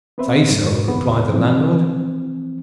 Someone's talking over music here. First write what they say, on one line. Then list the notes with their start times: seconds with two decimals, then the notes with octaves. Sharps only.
"Say so!" replied the landlord.
0.18 B3 C4 B4 C5 E5
0.51 G#2
0.88 E2 C#3 B3
1.30 E3 F3 C4